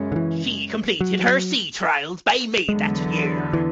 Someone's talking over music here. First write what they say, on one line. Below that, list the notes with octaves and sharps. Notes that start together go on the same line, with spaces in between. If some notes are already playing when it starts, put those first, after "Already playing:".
She completed her sea trials by May that year.
Already playing: F#2 C#3 G#3 C#4
D3
E3
F#3
E2 D3 F#3 G#3 B3
E3